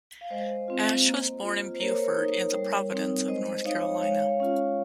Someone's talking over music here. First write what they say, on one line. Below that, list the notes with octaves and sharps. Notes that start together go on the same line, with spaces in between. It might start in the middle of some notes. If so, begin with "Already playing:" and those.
Ashe was born in Beaufort in the Province of North Carolina.
F5
G#3 C5 D#5
C4 F4
A#3
F4
C5
A#3 A#4 C#5
D#4
G3
C4 D#4
G#3 C5 D#5
D#4 C#5 F5
G#3 C#5 F5
C#4 F4